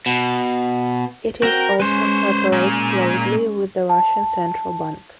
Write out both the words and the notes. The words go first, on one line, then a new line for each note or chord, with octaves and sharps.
It is also cooperates closely with the Russian Central Bank.
B2
C4 F#4 A#4 G5
G#3 C#4 B4 C5
A#2
A5